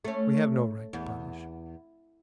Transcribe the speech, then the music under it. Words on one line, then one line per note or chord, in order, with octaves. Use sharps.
We have no right to punish.
A3 C#4
E2